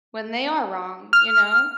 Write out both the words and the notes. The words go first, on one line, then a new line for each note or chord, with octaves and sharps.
when they are wrong, you know?
F6